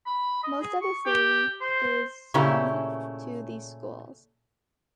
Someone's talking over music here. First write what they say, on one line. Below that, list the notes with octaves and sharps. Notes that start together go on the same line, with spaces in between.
Most of the city is zoned to these schools.
B5
D#5
G#4
C#6
G4
C5
A#2 C#3 A3 C#4 E4 G4